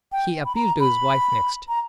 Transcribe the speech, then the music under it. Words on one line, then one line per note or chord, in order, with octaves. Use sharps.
He appealed to his wife next.
G5
B5
A#5
B5
A#5